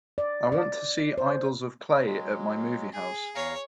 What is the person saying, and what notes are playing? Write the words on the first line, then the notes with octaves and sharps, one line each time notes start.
I want to see Idols of Clay at my movie house.
D5
D5
C5
F#3 G#3
G#4
E2 C#5 F5 A#5